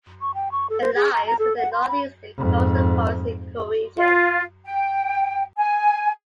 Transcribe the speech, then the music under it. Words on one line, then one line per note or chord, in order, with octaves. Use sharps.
It lies within the Northeastern coastal forests ecoregion.
C#6
G5
C#6
A4
C5
G#4
A#5
A#5
A4
F#5
C6
B5
F2 G#2
F4
G5
G#5